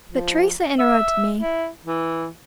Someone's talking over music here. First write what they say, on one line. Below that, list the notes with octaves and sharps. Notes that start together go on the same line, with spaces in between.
But Teresa interrupted me.
F3
E5
E4
E3